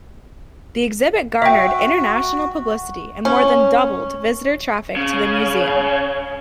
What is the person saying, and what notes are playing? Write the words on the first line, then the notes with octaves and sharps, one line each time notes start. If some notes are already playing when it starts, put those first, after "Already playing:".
The exhibit garnered international publicity and more than doubled visitor traffic to the museum.
F#4 E5 G5
C#4
C#3